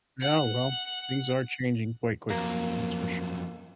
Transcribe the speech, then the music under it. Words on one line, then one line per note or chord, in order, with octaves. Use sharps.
Yeah, well, things are changing quite quickly, that's for sure.
F#5
F2 F#3 A#3